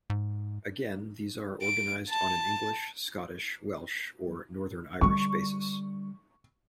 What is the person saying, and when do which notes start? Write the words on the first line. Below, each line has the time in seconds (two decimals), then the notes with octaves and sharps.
Again, these are organised on an English, Scottish, Welsh or Northern Irish basis.
0.10 G#2
1.62 D7
2.09 A5
5.01 D3 G3 C#6